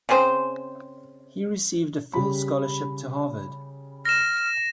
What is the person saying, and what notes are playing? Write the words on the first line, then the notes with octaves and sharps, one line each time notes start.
He received a full scholarship to Harvard.
C#3 C4 G#4 C5
C#3 G3 B5
F6 A#6 E7